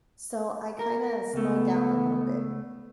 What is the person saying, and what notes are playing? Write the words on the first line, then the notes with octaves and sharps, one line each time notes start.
so I kinda slowed down a little bit.
A#4
C#2 A3 B3